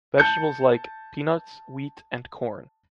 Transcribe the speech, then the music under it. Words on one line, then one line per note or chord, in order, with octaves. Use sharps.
Vegetables like: peanuts, wheat and corn.
A5 G6 C#7